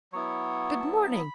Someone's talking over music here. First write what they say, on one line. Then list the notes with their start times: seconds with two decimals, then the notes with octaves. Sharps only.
'Good morning!
0.13 F#3 B3 E4 C#5
0.80 A5
1.14 B5